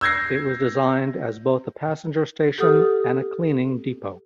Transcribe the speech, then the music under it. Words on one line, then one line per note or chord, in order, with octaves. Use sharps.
It was designed as both a passenger station and a cleaning depot.
E6 G6 G#6 A#6 C7
G4 A4 F#5 D#6 F6